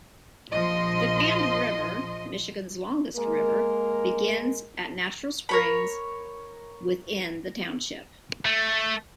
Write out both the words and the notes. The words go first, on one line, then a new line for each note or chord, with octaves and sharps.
The Grand River, Michigan's longest river, begins at natural springs within the township.
A#1 F3 D#5 C6
G#3 A#3 A#4
A#4 C#5 B5
A3